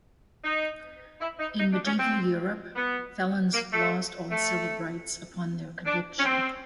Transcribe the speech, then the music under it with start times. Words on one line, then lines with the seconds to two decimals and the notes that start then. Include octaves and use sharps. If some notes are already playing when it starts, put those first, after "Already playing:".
In medieval Europe, felons lost all civil rights upon their conviction.
0.44 D#4
1.20 E4
1.40 D#4
1.59 D#4
1.72 D4
1.85 C#4
1.98 C4
2.76 B3
3.53 A#3
3.72 A3
4.31 A3
5.86 D4
6.18 C#4
6.24 C4